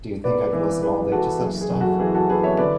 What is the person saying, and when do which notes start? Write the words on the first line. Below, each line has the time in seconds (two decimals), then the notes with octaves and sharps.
Do you think I can listen all day to such stuff?
0.24 B3 B4 D5
0.53 E3
0.82 E3 G#4 B4
1.11 E3 F#4 A4
1.41 F#1 G#4
1.61 G#4
1.70 F#1
1.80 F#4 A4
1.99 E3 G#4
2.15 F#4 A4
2.30 E3 G#4 B4
2.43 C#5 E5
2.58 D3 B4 D5